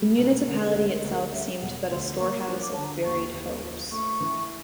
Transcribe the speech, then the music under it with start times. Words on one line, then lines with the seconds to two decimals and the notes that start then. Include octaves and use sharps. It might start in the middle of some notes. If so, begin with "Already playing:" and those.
The municipality itself seemed but a storehouse of buried hopes.
Already playing: G3
0.18 B1 B4
0.47 D3 A#4
0.60 G#4
0.68 A4
0.76 D2
0.90 A#4
1.04 D2
1.12 A#4
1.33 G3 E5
1.62 E1 F#5
1.91 D2 C6
2.20 A#3 C#6
2.41 C#6
2.48 F3
2.62 D6
2.74 D3 A5
2.84 A#5
3.05 D#2 C#6
3.34 D#2
3.63 F3
3.91 A3 C#6
4.21 E3